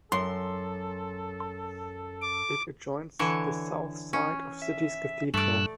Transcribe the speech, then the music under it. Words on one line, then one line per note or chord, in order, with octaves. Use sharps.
It adjoins the south side of city's cathedral.
F#2 A4 C6
D6
D3 E3 C#5
C#4
E5
G2 A3 D5 E6 F#6